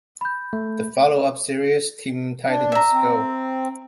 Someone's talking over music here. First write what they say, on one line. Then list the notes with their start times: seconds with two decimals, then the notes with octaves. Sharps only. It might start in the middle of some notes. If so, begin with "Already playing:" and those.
The follow-up series, Teen Titans Go!
0.21 B5 G6
0.53 A3
2.48 D4
2.72 E5 A#5
2.93 C4